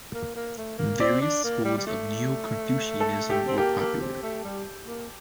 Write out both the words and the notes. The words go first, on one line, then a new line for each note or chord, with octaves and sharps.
Various schools of neo-Confucianism were popular.
A#3
A#3
A3
A#3
C4 D5
D4
A#3
G3
G3
A3
A4
G4
C4
A#3 G4
A#3
C4
A3
G3
A#3